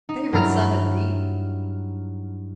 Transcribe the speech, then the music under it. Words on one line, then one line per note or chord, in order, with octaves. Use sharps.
Favorite son, indeed!
D#4
G2 F#3 E4 A#5 F6